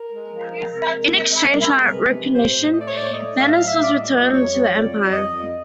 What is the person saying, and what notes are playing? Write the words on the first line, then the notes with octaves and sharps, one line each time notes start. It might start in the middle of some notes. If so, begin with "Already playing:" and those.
In exchange for that recognition, Venice was returned to the Empire.
Already playing: A#4
G#3
F3
G#3
C3
G#3
C3
G#3
C3 A#4
G#3
C3 B4
C3
A2 C5
A2
A3 D#5
D5
C#5
A2 D5
A3 D#5
A2
F5
E5
F#3 F5
E5
A2
D5
G3 D#5
F2
G3 C#5
G3
F2 D5
F2
F2 D#5
F2